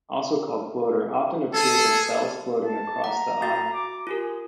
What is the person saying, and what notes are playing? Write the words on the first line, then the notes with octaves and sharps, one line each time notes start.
Also called "floater" - often appear as cells floating across the eye.
G#4 A4
A5
F#5 A#5
F#4 A6
D6
F4 G4 G#4 A#4